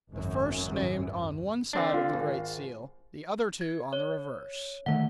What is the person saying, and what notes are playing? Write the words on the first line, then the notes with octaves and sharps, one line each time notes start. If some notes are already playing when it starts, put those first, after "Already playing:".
The first named on one side of the great seal, the other two on the reverse.
G#1 C#2 F#2
D3 C4 D4
F4
G#1
G#6
C#5
D3 D#3 A3 F#5